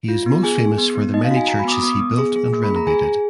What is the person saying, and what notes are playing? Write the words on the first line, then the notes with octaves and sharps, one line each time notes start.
He is most famous for the many churches he built and renovated.
F4
B3
G#4 G#5
G#4
B3
B3
D#4 D#5
F5
F#4
G#5
F#4 A#5
B5
B3 D6
D#6
B3 D#6
B3
G#4
G#4
A#3
B5
G#4
A#5
G#4 G#5
G#4